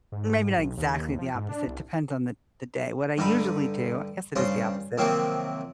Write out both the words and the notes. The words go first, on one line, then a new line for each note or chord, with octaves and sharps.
maybe not exactly the opposite, depends on the the day. What I usually do- I guess it is the opposite-
G#2
B1
D#2
F3
G#2
D4
C2
G2 D3 D#4 B5
G2 C#3 F4 C5 C6
C3 D#3 F3 F#3 A#3 C4